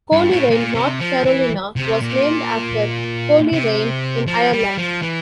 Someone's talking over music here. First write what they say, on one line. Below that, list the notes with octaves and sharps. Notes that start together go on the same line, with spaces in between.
Colerain, North Carolina, was named after Coleraine in Ireland.
G2
A2
A#2
C3
F3
E3
C3
A#2
C3
F3
G3
F3
E3